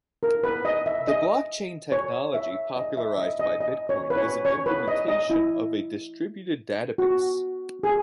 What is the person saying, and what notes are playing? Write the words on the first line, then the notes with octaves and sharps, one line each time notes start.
The blockchain technology popularised by bitcoin is an implementation of a distributed database.
A#4
B4
D#5
E5
D#5
C#5
E5
D#5
E5
D#5
D#5
D#5
C#5
B4
C#5
C#5
B4
D#5
D#5
E4
F#4
G#4